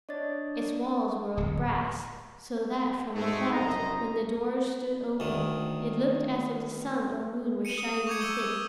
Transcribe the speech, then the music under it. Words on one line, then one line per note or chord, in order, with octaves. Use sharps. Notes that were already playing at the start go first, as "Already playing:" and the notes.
Its walls were of brass, so that from without, when the doors stood open, it looked as if the sun or moon were shining within.
D4 C#5 D#5 A6
D1
G#2 B2 G#3 A3
F#1 C2 C5 D#5 A#5
D2 D#3
C#7 D#7 E7
D#6
C#6 D6 G6 G#6 C#7
C#6 E6 G6 D#7 F#7 G7
E6